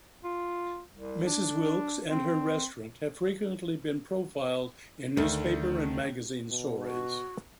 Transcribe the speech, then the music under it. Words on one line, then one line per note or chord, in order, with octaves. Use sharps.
Mrs. Wilkes and her restaurant have frequently been profiled in newspaper and magazine stories.
F4
C2
D4
C4
D2 D#3 A3
B2
F#4